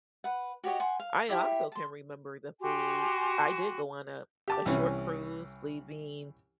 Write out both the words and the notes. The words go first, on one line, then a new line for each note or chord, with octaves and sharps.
I also can remember the food I did go on a a short cruise leaving
B4 F#5
F#4 G4 C#5 D#5
F#5 G#5 C6
F5
E4 G4 E5
A5 C6
F#4 G4 G#5 C6
G4 A5 D6
C2 E3 C#4